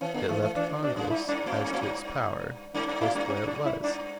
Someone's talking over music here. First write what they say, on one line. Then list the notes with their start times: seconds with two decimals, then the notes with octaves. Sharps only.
It left Congress, as to its power, just where it was.
0.01 E3 C#4
0.14 D3 B3
0.28 E3 A3
0.42 E3 A3
0.55 E3 D4
0.69 D3
0.82 B2 D4
0.96 F#2
1.10 G2 E4
1.28 G2 D4
1.46 A2 C#4
1.64 G2
1.73 A2
1.81 G2
2.74 G2 D4
2.87 G2 D4
3.01 A2 E4
3.15 G2 D4
3.29 C#4
3.47 D4
3.65 E4
3.83 G2 D4